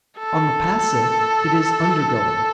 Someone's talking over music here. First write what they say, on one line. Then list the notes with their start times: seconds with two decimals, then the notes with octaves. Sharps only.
On the passive, it is undergoing.
0.18 A4